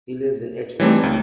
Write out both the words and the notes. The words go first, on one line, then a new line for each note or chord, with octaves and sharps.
He lives in Eschweiler.
E3 G3 A3 C4 D#4 C#5
C#2